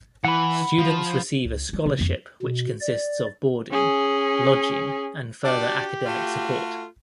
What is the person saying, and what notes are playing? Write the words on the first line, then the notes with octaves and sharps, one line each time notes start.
Students receive a scholarship which consists of boarding, lodging and further academic support.
E3 F#5 B5
F3
C#2
F#3 G#3
C3 F3
F2 A#3
B2
D5
C#4 G#4
D4 F#4 G4 D5
A3 F4 F#4